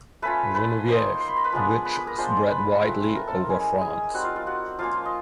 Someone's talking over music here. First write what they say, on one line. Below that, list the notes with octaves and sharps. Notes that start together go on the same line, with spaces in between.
Genevieve, which spread widely over France.
A3 C#4 F4 B4 B5
B4 B5
A#3 D#4 C5 C6
C6
B5
A#5
B4 B5
F3 G#3 B3 D4
B4 B5
B4 B5
A#4 A#5
G#3 B3 D4 F4 C5 C6
B4 B5
A3 C4 F4
A#4 A#5
A4 A5
A#4 A#5
G#3 C#4 E4
G#4 G#5
G3 C4 D#4 F#4 F#5
F4 F5
F4 F5
F#4 F#5
F3 A#3 C#4 F4 F5
D#5